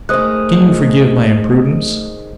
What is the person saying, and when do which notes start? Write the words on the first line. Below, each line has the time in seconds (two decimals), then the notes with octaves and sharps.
'Can you forgive my imprudence?'
0.09 D#3 G#3 A3 C5 D#6 F#6